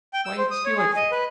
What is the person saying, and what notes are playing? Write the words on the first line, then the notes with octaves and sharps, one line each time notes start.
Why, its delightful!'
G5
E6
C5
D#6
C#5
G#4
D#5
B4